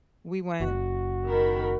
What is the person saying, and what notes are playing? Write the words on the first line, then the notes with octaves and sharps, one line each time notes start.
We went
F#1 F#4
D#3 A#4 B5